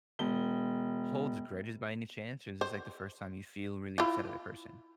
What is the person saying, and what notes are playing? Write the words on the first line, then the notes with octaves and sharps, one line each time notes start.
holds grudges by any chance, or is this, like, the first time you feel really upset at a person?
E1 G7
C5
E4 F4